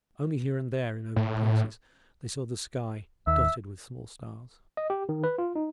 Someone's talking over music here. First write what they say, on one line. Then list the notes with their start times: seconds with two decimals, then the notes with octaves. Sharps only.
Only here and there, in open places, they saw the sky, dotted with small stars.
1.16 A2
3.27 D#2 E5
4.77 D#5
4.90 G4
5.09 D#3
5.24 B4
5.38 F4
5.56 D#4